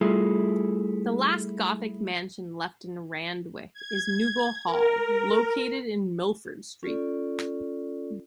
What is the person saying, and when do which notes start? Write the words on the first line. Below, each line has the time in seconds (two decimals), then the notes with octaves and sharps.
The last Gothic mansion left in Randwick is Nugal Hall, located in Milford Street.
0.01 G3 A3 E4 F4 G#4 A4
3.74 G#6
4.65 A#4
6.83 C#4 F4 A4 D5